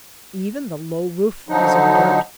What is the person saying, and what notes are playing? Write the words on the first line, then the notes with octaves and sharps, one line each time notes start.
Even the low roof is of dirt.
D3 F3 F#3 D#4